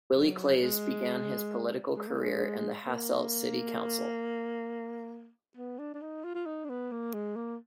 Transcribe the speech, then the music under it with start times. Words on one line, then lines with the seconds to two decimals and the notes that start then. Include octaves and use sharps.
Willy Claes began his political career in the Hasselt city council.
0.16 F#3
0.61 G#3
1.96 G#3
2.07 A#3
2.18 G#3
2.86 A#3
5.57 B3
5.79 D4
5.94 D4
6.01 D#4
6.24 F4
6.35 F4
6.46 D#4
6.64 D4
6.69 B3
6.92 A#3
7.14 G#3
7.36 A#3